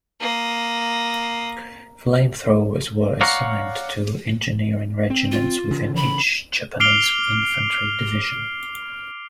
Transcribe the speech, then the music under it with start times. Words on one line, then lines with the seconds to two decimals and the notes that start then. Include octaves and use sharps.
Flamethrowers were assigned to engineering regiments within each Japanese infantry division.
0.21 A#3 D#6
3.21 C#5 D5 F5 F#5 A#5
5.10 C4
5.32 F4
5.71 C#3 E3
5.96 B5
6.80 D6 F6 C7 D7 F7 G7